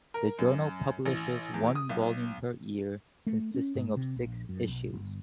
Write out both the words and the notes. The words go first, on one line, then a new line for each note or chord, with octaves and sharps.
The journal publishes one volume per year, consisting of six issues.
A#4
F#2
A1
E2
D#6
B1
A3
C#4
G#2
C3
A#1
F#2
B1
G1